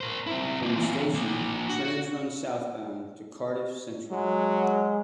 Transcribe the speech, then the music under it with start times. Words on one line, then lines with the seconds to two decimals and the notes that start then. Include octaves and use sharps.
From the station, trains run southbound to Cardiff Central.
0.01 A#4 C5
0.27 C4 E4
0.63 A#3 C4
0.75 E3 C4
1.14 A#3 D4
1.69 F#4
4.11 F#3 G#3